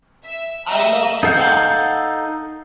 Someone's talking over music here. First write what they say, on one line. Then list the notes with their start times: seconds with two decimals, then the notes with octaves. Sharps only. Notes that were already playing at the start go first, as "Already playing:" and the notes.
I lost count.
0.24 E5
0.69 D#5 E5
1.23 D#4 A4 F5 F#5 G6